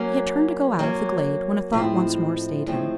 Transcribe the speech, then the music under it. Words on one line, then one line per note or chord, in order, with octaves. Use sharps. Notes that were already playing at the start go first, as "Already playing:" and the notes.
He had turned to go out of the glade, when a thought once more stayed him.
Already playing: F#3 A#3 C#4
F#3 A#3 C#4
A2 F3 G#3 C4
A2 F3 G#3 C4